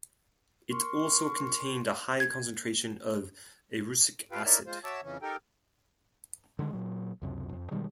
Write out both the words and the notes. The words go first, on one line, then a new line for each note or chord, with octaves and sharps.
It also contained a high concentration of erucic acid.
A#4 C6 C#6
G#6
F4 G4 A4 B4 F5 G5
D#4 E4 A#4 C#5 D5 E5
G#3 F4 C5
F#4 C#5 E5 A5 D6 E6
F2 C#3 E3 C#4
D#4 G4 A4 A#4 G5
D3 D#3 G3 G#3
A#2 F#3
C#2 F#2 C3
F2
B2 D#3 G3 G#3